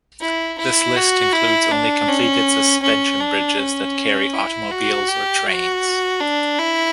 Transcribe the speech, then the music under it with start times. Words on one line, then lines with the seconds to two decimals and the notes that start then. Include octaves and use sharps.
This list includes only completed suspension bridges that carry automobiles or trains.
0.21 E4
0.58 E4
0.96 F#4
1.33 E4
1.71 D4
2.09 C#4
2.83 C#4
3.20 D4
3.59 C#4
4.34 E4
4.71 F#4
5.08 G4
5.46 F#4
6.20 D4
6.59 E4